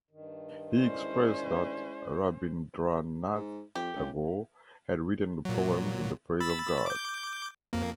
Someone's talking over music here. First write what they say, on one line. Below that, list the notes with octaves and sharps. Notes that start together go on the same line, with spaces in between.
He expressed that Rabindranath Tagore had written the poem in the praise of God.
G2 D#3
G#3 C#4 E4 C5 D5
G#2
F2 G4
C#2
A#2 F#3
B5 E6 A6
D6 G6
F2 A#3